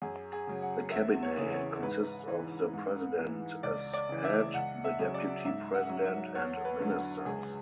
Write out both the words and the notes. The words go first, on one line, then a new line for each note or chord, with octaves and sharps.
The Cabinet consists of the President, as head, the Deputy President and ministers.
F#2 G#4
G#4
C#3 F#3
F#5
E2 E5
C#5
C#3 E3
C#5
G#2 B4
E3
G#2
E3
C#2 D5
D5
C#3 E3
E5
C#2 F#5
E5
C#3 F#3
D5
G#2 E5
F#5
F#3
E5
E2 C#5
B4
D3 F#3
C#2 G#4